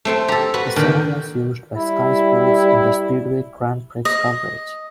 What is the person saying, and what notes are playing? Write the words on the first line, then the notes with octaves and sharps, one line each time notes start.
The song was used by Sky Sports in their Speedway Grand Prix coverage.
A3 C4 A4
G4 A4 A#5
F#4 B4
A#2 D3 D#3 D4 G4
G3 E4
D#5